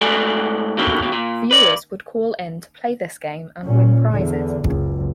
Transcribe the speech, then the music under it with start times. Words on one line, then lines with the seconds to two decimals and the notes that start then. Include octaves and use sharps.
Viewers would call in to play this game and win prizes.
0.01 G#2 A3 A4 D5 G#5
0.78 D#2 B2 D3 D#3
0.99 D#2 B2
1.12 A#2
1.51 B4 D5
3.62 A#2 C#4
4.09 E2 D3
4.63 F#1 C#2